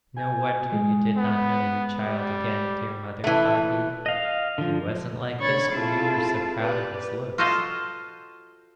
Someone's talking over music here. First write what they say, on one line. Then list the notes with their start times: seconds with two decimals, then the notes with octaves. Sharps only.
'No wonder you did not know your child again, dear mother,' thought he; 'he wasn't like this when you were so proud of his looks.'
0.16 G#5 G6 D#7
0.72 G#3
1.16 B3
2.06 G3
3.24 E3 A3
4.06 D#5 F5
4.58 D3 F3
5.38 D3 C#5 B5 C#6 G#6 A6
5.71 C4 E4 F4 G#4 A4
6.60 G4 B4 D5
7.38 F4 F#4 A4 C5 D#5 F5